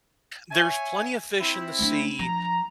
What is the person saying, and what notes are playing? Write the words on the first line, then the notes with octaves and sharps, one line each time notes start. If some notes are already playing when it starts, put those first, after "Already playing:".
There's plenty of fish in the sea,
C#5 E5 G#5
C4 E4
A3 D4
F3 A#5